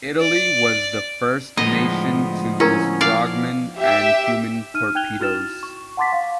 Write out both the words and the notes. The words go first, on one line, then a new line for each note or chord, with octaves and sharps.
Italy was the first nation to use frogmen and human torpedoes.
D5
A2 D3 F3 G#3 B3 D#4 D#5
C#4 E4 A#4 A#5
D5 F5
G4 E5
D#4 F6 D#7
D#4 G5 F#6 G#6 F7 G7
E4 F#4 F6 A6 E7
C#6
F#5 A5 C6 D6 A6 B6
F5